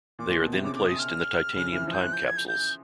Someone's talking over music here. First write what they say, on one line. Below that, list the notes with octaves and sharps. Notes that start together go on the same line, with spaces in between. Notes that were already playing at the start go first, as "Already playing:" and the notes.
They are then placed in the titanium time capsules.
A#2 D6
A#2
B2
C3
C#3 D6
D6
D#6
F6
C#3
E3
F3
G6
F#6
G6
G#6
G6
G6